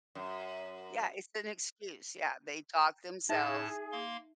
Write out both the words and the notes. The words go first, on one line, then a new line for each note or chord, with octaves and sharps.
Yeah, it's an excuse, yeah. They talk themselves
F#2
A2 D#4 G#4 E5 A5
A#3 F5 C6